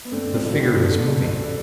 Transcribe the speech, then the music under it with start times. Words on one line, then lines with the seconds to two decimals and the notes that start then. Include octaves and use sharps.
The figure was moving.
0.05 B3
0.12 D3 A3 C4
0.27 D3
0.35 A3 C4
0.44 G2
0.50 F#4
0.59 G2 E4 G4
0.76 D3
0.83 F#4 A4
0.92 D3
1.07 G2
1.24 G2
1.40 D3